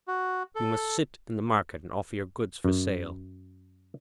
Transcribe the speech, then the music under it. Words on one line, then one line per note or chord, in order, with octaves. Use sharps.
You must sit in the market and offer your goods for sale.'
F#4
A4
F#2